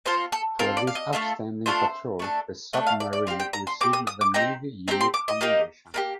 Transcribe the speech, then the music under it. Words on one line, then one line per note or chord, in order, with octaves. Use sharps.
For this outstanding patrol the submarine received the Navy Unit Commendation.
C4 F4 A4 C5
A4
C4 F4 A4 A#4
D5
F5
D#5
A3 D4 F4 A4
A3 D4 F4 A4 C5
A3 D4 A4
A3 D4 A4 D#5
F5
D5
D5
C4 G4 F5
G5
A#5
C6
C4 G4 D6
D#6
D#6
D6
C4 D#4 G4 A#5
C4 D#4 G4 A#5
C6
D6
D#5
A#3 D#4 G4
A#3 D#4 G4